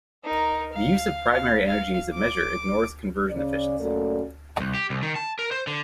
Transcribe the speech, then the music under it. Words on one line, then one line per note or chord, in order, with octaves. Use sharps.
The use of primary energy as a measure ignores conversion efficiency.
D#4 A#4
F5
F5
F5
D6
C#3 D5
F#2 A#2 A3 A4 D5
C2
G4
C2
D#3
A5
A#4
C5
D3